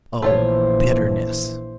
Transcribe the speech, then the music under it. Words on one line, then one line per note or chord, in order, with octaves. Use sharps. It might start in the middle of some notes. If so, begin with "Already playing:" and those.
Oh, bitterness!
A#1 E3 A3 F4 C5 C#5